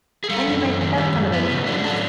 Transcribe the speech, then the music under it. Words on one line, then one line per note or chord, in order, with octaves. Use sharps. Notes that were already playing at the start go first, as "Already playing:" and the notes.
And you may pick up some of those things.
G#4
G3 A4
F#2
F#2
D#3
G3
F#2
B3
C#3
D4
F#3 A4